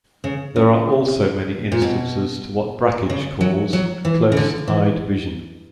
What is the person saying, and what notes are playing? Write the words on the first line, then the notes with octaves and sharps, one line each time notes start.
There are also many instances to what Brakhage calls "close-eyed vision".
C#3
C#3
A#2
B2
C#3
F#3
F#3
E3
C#3
D3
E3